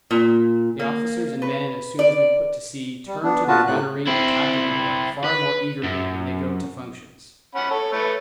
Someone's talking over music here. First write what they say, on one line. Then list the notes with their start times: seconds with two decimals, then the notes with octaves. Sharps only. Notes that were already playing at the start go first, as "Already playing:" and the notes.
The officers and men as soon as we put to sea turn to their gunnery and tactical work far more eagerly than they go to functions.
0.11 A#2
0.79 A#3
1.42 B4
1.99 D5
3.07 G3
3.24 B3 D4
3.48 A#2 B3 F4 F#4 B4 A5
3.67 A2 C3 F#6
4.07 C4 E4
5.24 B4
5.84 F#2
7.55 C#4 F#5 B5
7.71 A4 C#5
7.92 A3 B4 C#5